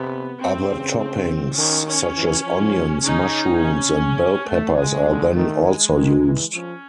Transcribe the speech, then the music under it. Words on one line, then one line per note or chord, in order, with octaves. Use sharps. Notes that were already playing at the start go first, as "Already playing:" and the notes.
Other toppings such as onions, mushrooms and bell peppers are then also used.
Already playing: C3 B3
C4
C#3
C4
D#3 C#4
C#4
E3
F3
C#3 C#4 D#4
C3 C#4
C#3
A3
G#3
D3
D#3 A3
G#3
D#3
E3
F3 C#4